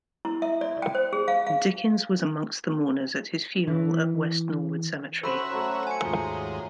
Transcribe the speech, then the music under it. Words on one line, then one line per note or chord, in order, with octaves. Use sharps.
Dickens was amongst the mourners at his funeral at West Norwood Cemetery.
E4
E5
D5
G5
C5
G#4
F5
F5
E3
C#4 F#4 A4 C5 E5 B5
F#3 A3
G#5 C#7
D#2 G#2 G#3 F4